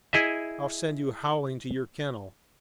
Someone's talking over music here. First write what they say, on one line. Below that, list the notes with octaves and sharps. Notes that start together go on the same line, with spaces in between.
I'll send you howling to your kennel!
E4 G#4 D#5 E5